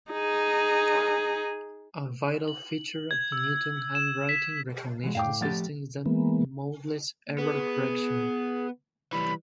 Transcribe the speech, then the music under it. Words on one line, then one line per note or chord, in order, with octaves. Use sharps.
A vital feature of the Newton handwriting recognition system is the modeless error correction.
D#4 G#4
F#7
G#6
E6
E7
B6
E3 F#3 G#3
A2 F5 G5 D6
F3 A3 G4 F#5 A6
E3 G#3 A#3 B3
B3 G#4
E3 G3 B5